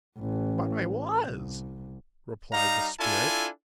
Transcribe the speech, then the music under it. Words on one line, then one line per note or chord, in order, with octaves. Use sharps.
'But I was!' replied the spirit.
A1
C2
G3 D#4 F5 A#5
D4 E4 F4 A4 G#5